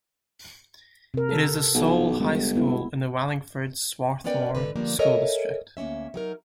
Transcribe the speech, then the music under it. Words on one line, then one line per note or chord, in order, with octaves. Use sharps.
It is the sole high school in the Wallingford-Swarthmore School District.
C3 A#4
A4
B1
G1 G#3
B3 E4
B3 C#4 A#4 B4 D5 G5
G#2 D3 B4
D3 F3 G3 A#3 D4
A4 A#4 C#5 D#5 E5 G#5
D2 A#3 C4 C#4 E5
F#3 D#4 A#4